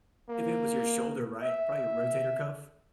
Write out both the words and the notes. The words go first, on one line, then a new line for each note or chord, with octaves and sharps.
If it was your shoulder, right? Probably your rotator cuff.
A#3
E5